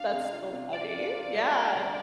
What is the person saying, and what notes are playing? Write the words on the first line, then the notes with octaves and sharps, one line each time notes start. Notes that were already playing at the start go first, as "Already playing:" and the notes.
That's so funny, yeah,
Already playing: D4 F5
C3
F4
C3
F4 D5
F4
F4
G3
G3
D3